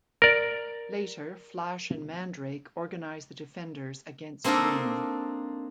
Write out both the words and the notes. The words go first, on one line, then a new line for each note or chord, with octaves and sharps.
Later, Flash and Mandrake organize the Defenders against Ming.
A#4 D5
A#3 C4 D4 D#4 A4 A#4